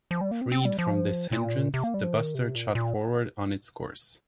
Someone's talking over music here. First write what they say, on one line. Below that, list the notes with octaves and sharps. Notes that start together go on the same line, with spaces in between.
Freed from this hindrance, the Buster shot forward on its course.
F3
G3
A#3
C4
C4
G3
F3
A#2
C3
A#3
G3
F3
D#3
C3
A#2
A#2